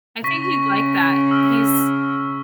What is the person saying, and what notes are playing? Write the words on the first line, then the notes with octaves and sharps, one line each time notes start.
I think he'd like that. He's
C#3 C#6 A#6 B6
E6 F6